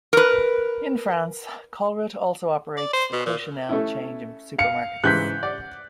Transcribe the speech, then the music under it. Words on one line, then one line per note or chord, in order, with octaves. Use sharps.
In France Colruyt also operates the Coccinelle chain of supermarkets.
A#4 B4
D5
C5
B2
A#2
A3 C#4 E4
F5 C#7
G#2 C#3 E3 F#6 G6 B6
D5 F#5